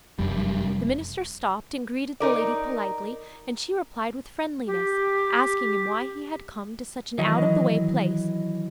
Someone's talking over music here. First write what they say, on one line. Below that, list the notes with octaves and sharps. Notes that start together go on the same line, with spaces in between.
The minister stopped and greeted the lady politely, and she replied with friendliness, asking him why he had come to such an out-of-the way place.
F1 F#2 G3
D#4 A#4 D5
G4
D#3 E3 F#3 D#5